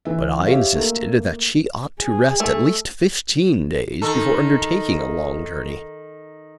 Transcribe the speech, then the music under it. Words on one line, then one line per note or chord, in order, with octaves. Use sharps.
But I insisted that she ought to rest at least fifteen days before undertaking a long journey.
E3 E5
G4 C#5 E5 F5
A3 A#3
G#4
A3
D#3 A4